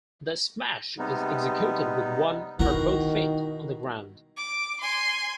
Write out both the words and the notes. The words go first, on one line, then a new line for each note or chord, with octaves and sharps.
The smash is executed with one or both feet on the ground.
C3 G3 G#3 B3 D#4
B2 D#3 E4 A#4 F#5
D6
G#5 C6